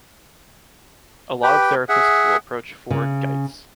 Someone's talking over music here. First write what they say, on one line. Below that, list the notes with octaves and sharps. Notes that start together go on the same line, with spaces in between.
A lot of therapists will approach four gites.
G4 B4 G5
G#4 E5 F#5
C#3